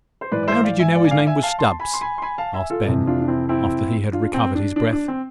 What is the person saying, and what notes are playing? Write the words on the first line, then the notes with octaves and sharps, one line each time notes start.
"How did you know his name was Stubbs?" asked Ben, after he had recovered his breath.
C5
G#2 E3 B4 D5
D5
C5 E5
D5 F5
E5 G#5
D5 F5
G#5
D5 F5
E5 G#5
F5 A5
A5 C6
G#5 B5
C6
G#5 B5
C6
G#5 B5
F5 A5
E5 G#5
F4 A4
F2 C3 E3
D4 F4
D4
C4 E4
C4 E4
D4 F4
C4
D4
D4
D4
C4